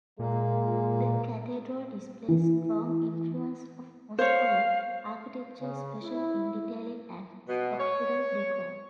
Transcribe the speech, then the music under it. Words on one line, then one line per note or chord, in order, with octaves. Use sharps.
The cathedral displays strong influence of Muscovite architecture, especially in detailing and sculptural decor.
A#2 G#3 A#3
E3
C5 C#5 F5
C#3
E4
B2
C#5